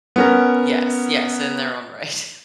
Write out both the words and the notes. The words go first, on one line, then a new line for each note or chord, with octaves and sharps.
Yes, yes, in their own right.
B3 C#4 A#4